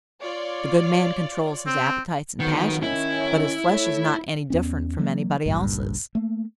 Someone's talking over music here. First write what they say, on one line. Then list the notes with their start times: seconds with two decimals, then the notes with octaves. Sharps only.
The good man controls his appetites and passions, but his flesh is not any different from anybody else's.
0.22 F4 C#5 D5
1.67 C4
2.40 F2 D#3 F#3 B3
2.83 D#3 C#4 E4
3.68 A3 A4 C#5
4.50 E2 B3 C#4
4.98 E3 F#3 A3 A#3
5.46 G#1 C#2 G2 A#2
6.15 A3 A#3